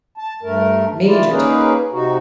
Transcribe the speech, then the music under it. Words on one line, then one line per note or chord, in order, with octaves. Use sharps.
"Major Tifto."
A5
G2 A3 A#4
D#3 E3 E4 F4 D5
A#3 C#4 D#4 G#4 A#4 B4
C3 D#4 F#4